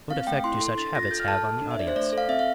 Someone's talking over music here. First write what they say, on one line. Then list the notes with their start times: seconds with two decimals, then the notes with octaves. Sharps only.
What effect do such habits have on the audience?
0.10 C4 F5
0.27 A3 G5
0.44 E4 C6
0.61 A4 C6
0.78 D4 A6
0.95 F4 A#6
1.03 A6
1.11 A4 G6
1.20 F6
1.28 A4 A5
1.45 A4
1.61 D4
1.71 E5
1.78 D4 D5
1.88 C5
1.96 A3 D5
2.13 A4
2.18 F5
2.29 C4 E5
2.39 F5